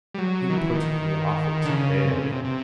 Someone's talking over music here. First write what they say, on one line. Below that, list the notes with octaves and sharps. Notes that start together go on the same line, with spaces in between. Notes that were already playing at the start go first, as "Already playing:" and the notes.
He put me off it. Ay.
G3
F#3
D#3
E3
D#3
D3
C#3
C3
C#3
C3
C3